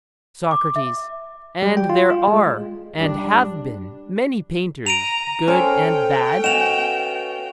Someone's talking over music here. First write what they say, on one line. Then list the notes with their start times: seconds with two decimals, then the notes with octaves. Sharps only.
SOCRATES: And there are and have been many painters good and bad?
0.51 D6
0.76 E5
1.63 G3
1.77 G5
1.90 F4
2.10 F4
2.28 G#3
2.99 G3 D4
4.86 A#5 D7 D#7 F7
5.47 C#4 A4 C5 G5
6.44 B3 F#4 D#5 F5 G#5 E7 F7